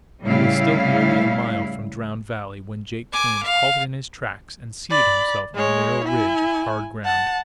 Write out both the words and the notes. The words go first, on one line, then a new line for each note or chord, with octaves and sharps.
It was still nearly a mile from Drowned Valley when Jake Kloon halted in his tracks and seated himself on a narrow ridge of hard ground.
A2 C#3 G3 E4 F5
G#5 D6
F5
D5 B5
G#3 C#5
E4 G#5
F#5 A5